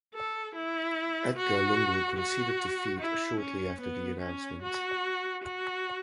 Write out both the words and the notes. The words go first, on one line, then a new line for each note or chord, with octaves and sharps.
Edgar Lungu conceded defeat shortly after the announcement.
A4
E4
F#4
F#4
E4
C#4
B3
C#4
F#4
F#4